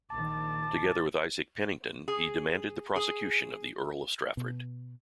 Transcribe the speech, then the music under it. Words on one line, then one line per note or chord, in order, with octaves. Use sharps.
Together with Isaac Penington, he demanded the prosecution of the Earl of Strafford.
A#1 D#3 A5 D6
G#4
G#4
B2